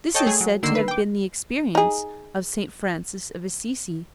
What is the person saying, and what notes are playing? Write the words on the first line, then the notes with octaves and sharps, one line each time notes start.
This is said to have been the experience of St. Francis of Assisi.
A4 C#5 D#5 G5 A5
A3 G#4
F#3
D3 D#3 A#3 E6 C7
B4
G5 D6
D#4 G#4